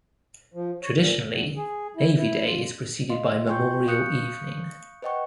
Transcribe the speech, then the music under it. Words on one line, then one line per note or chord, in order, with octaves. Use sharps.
Traditionally, Navy Day is preceded by Memorial Evening.
F3
C#5
A#2
E2
G#4
E4
E4
F4
D#5 F5 C6
F4 G5 G#5 C6 C#6 G6
F5 C#6 D#6 F#6 G6 C#7
B4 C5 D#5 F#5 G5 C#6